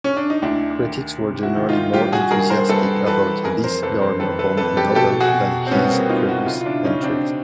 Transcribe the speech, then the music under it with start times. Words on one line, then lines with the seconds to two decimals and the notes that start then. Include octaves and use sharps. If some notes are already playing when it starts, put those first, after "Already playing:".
Critics were generally more enthusiastic about this Gardner Bond novel than his previous entries.
0.04 C#4
0.17 D4
0.30 D#4
0.42 D2 D4 E4
0.81 D#3
1.18 C3
1.43 E4 F#4
1.56 D#3
1.69 D#4 F4
1.93 G2 F4 G4
2.12 F#4 G#4
2.31 G2 G#4 A#4
2.50 A#4 C5
2.69 G2 A4 B4
3.07 E3 A4 B4
3.44 F2 G#4 A#4
3.64 A#4 C5
3.82 F2 A4 B4
4.02 A#4 C5
4.20 D#3 A4 B4
4.39 A4 B4
4.57 F2 A4 B4
4.77 G4 A4
4.95 B2 G4 A4
5.20 F#4 G#4
5.34 B2
5.67 C4
5.71 C2 B3 C#4
5.90 A#3 C4
6.09 B2 D#4 F4
6.28 E4 F#4
6.46 C#3 D#4 F4
6.61 F4
6.66 D4 E4
6.85 C#3 C#4 D#4
7.03 C4 D4